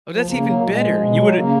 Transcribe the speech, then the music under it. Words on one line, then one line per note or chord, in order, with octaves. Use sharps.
Oh, that's even better. You woulda
F3
C#3 A#3
F#3
A#2 G#3
F3
B2
F#3
C#3 A#3